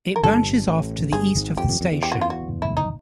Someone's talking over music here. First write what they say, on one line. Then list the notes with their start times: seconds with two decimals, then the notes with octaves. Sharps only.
It branches off to the east of the station.
0.16 A#4
0.23 G1 G2 A4
0.68 A1 A2
1.13 G1 G2 G#4
1.36 G#1 G#2
1.57 F2 G4
1.69 F2
1.81 F2
1.92 E2
2.03 G4
2.12 F#4
2.21 F4
2.30 F#4
2.62 E4
2.77 D#4